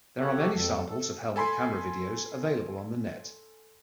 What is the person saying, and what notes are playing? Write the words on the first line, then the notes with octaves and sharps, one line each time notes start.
There are many samples of helmet camera videos available on the net.
G4 A4 C#5 F#5
F2 A4
A4
A4 G#5 B5 C6